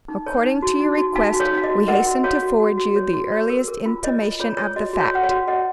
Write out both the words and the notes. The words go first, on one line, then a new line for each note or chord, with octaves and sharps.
According to your request, we hasten to forward you the earliest intimation of the fact.
D#4
C#5
D#4
F#4
D#4
F#4
D#4 F5 G#5
F#4
C#5 F5
D#4 F5
D#5
F#4
A#4 D#5 F#5
F#4
F#4 C#5 F5
F#4
F#4
F#4
C#5
F#4
C#5
A#4
A#4
F4
C#5 D#5
F4
F4 C#5
C#5
F#4 D#5
F#4
C#5 F5
C#5
F#5
C#5 F5
F#4
C#5 D#5 F#5